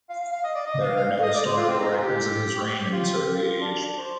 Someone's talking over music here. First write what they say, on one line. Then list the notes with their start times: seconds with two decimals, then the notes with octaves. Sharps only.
There are no historical records of his reign in this early age.
0.09 F5
0.21 F5
0.32 F5
0.44 D#5
0.55 D5
0.67 D#5
0.81 F5
0.96 F5
1.12 F5
1.22 D#5
1.35 D5
1.46 C5
1.57 F4
1.68 C4
1.79 D#4
1.91 F4
1.97 G#4
2.01 G4
2.92 F4
3.15 G4
3.37 F4
3.61 D4
3.83 D4
3.97 C5